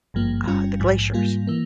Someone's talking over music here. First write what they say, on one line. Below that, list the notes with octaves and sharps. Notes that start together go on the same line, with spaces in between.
uh, the glaciers.
G#1 G2 F3 A#3
G1 G2 G3 C#4 F4
A#1 G#2 F3
G#2 G3 A#3 F4
E3 A#3